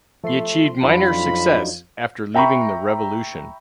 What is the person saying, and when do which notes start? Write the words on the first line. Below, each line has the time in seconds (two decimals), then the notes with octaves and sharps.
He achieved minor success after leaving The Revolution.
0.24 F3 A3 C6
0.82 F2 F#3 D4 D#4 F4 B5
2.34 E5 G5 A#5 B5 C#6